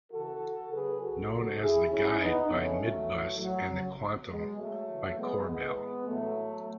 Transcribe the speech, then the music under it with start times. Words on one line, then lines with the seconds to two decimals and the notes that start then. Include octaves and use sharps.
Known as the Guide by Midbus and the Quantam by Corbeil.
0.11 C#3 E3 F#4 A4
0.72 C#3 F#3 G#4 B4
1.01 F#4 A4
1.30 C#3 F#3
1.61 E4 G#4
1.90 B2 F#3 C#4 E4
2.20 B3 D#4
2.50 C#3 F#3 A3 C#4
2.79 F#3 A3
3.10 A2 E3
3.40 F#3
3.69 C#3 F#3
4.29 B2 F#3 G#3
4.58 F#3 A3
4.88 C#3 E3
5.18 G#3 B3
5.48 A2 E3 G#3 B3
6.07 A2 E3 F#3 A3